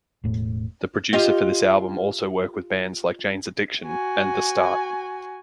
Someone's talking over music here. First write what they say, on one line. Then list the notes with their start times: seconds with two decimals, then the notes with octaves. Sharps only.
The producer for this album also worked with bands like Jane's Addiction, and TheStart.
0.24 E1 A2
1.13 F4 G4 D#5
3.86 F#4 G#5